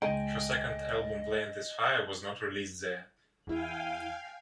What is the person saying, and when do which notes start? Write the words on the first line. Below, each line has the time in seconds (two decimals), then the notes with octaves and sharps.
Her second album "Playin' With Fire", was not released there.
0.02 C#2 G#3 D#4 D#5 G5 G#5
3.47 E2 E4 F5 G5 G#5